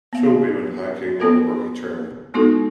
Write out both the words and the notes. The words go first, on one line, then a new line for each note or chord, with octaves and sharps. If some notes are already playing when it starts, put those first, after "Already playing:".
Two women hiking on a rocky trail.
B3 F5
B3 F4 A4 A#4
G#3 B3 D#4 E4 F#4 A4